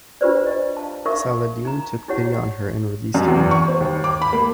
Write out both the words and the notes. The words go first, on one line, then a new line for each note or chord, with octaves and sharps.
Saladin took pity on her and released him.
D4 F4 G4 B4 C5 D5
D#5
F5 A5
D#4 A#4 E5 F5 C#6
D#4 A#5
D#4 E4 G4 C#5 F#5
F#2
E2
C#6
C5
D#2
D6
B5
A#3